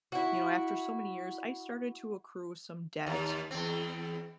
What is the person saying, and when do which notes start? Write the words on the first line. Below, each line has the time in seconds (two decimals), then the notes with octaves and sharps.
you know, after so many years, I started to accrue some debt,
0.12 E4 F#4
3.07 D#2
3.51 E2 C4